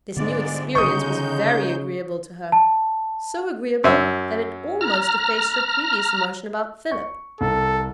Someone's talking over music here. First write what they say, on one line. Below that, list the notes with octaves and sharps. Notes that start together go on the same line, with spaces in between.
This new experience was very agreeable to her, so agreeable that it almost effaced her previous emotion about Philip.
G#2 D3 G#3 B3 D4 D5
C#3 G#3 D#4 C#6 D#6 G6
A5
F#2 E5
A#5 F6
C#6
C2 A4